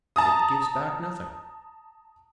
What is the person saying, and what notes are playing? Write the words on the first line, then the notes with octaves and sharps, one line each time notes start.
It gives back nothing.
A5 A#5 D#6